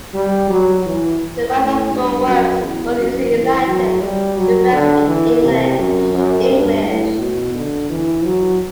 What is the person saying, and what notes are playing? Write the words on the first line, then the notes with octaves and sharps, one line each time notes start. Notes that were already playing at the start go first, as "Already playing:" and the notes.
The biological works were usually in Latin, the rest in English.
G3
F#3
E3
A2
G2
F#2
E2
F#2
E3
F#3
G3
F#3
D3
E3
C3
F#2
F#2
G2
A2
B2
D3
E3
F#3